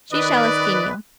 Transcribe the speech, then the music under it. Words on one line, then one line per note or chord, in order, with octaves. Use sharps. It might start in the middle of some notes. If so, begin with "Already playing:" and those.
She shall esteem you.
D#3 B4 D5 D#5